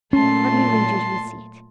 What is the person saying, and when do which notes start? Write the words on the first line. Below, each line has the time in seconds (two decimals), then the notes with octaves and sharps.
Let me lead you to a seat.'
0.13 A#2 F#3 A3 C#4 A5 C6